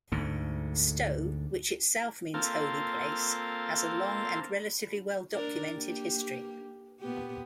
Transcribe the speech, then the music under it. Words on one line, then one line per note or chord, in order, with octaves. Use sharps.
Stow, which itself means "Holy Place" has a long and relatively well-documented history.
D2 G#2 D3
A#3 C4 F4 A4
D4 A#4 D5
A#3 G4
A#2 B3 G4